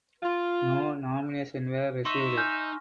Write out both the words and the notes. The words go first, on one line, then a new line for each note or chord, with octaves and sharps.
No nominations were received.
F4
D#4 E5 C6 C#6 E6
G#5 F6 G6